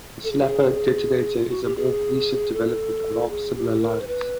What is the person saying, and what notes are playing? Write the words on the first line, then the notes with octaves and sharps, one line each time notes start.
The slapper detonator is a more recent development along similar lines.
A4
G#4
G4
G#4
F4
F#4
G4
G#4
A4
G#4
G4
A#4
C5
B4